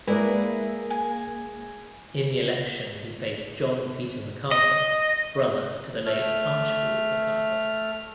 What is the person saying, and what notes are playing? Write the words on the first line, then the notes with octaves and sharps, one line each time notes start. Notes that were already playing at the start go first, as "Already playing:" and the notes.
In the election he faced John Peter McArthur, brother to the late Archibald McArthur.
G#3 A#3 E4 A#4 B4 D5
G#5
D#5
A3 F6